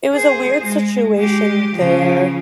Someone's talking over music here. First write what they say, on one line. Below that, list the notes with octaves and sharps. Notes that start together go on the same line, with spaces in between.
it was a weird situation there
G#4 C5
G#3
G#3 G4
C#3 F3